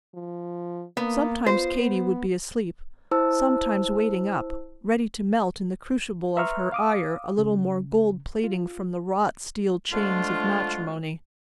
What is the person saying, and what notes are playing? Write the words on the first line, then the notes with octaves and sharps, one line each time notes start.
Sometimes Katy would be asleep; sometimes waiting up, ready to melt in the crucible of her ire a little more gold plating from the wrought steel chains of matrimony.
F3
A#3 B3
F4 C5
B3
E4 C5 A5 E6
B4 E5 A#5 C6 C#6 F6
F5 D6 D#6
C#3
F4
D3 F3 G#3 A3 D4 F4